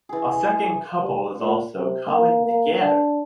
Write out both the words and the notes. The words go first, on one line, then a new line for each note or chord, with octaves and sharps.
A second couple is also coming together.
E3 G#4
G3
A#2
C3
A#3
A#3
D4